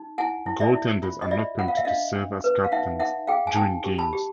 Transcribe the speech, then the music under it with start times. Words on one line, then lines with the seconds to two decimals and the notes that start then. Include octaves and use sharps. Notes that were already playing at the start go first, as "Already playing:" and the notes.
Goaltenders are not permitted to serve as captains during games.
Already playing: D#4
0.18 E4 F#5 G#5
0.46 E4
0.60 D5 E5
0.75 E4
1.03 F4
1.22 D#5
1.31 F4 D5 E5
1.59 F4 F#5
1.68 F5
1.77 E5
1.85 D4 D#5 F5
2.16 D4
2.44 B4
2.64 F5
2.72 D#4 E5 F#5
3.00 D#4 E5 F#5
3.27 G#4 F5 G5
3.47 G#5
3.56 D#4 G5 A5
3.84 G4
3.98 A5 B5
4.13 G4